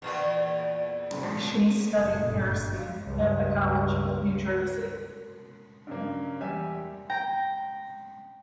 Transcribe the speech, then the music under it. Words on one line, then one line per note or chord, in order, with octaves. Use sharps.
She studied nursing at The College of New Jersey.
E2 A#2 E3
F#1 A#2 A3
G1
C#2 G2
G2 C#3 F#3 A#3
E2 G3 G4 E5 G#5
G5 A#5